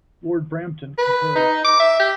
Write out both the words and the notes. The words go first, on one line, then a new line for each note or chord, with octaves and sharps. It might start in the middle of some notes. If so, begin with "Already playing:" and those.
Lord Brampton concurred.
B4
D#4
D6
E5
G4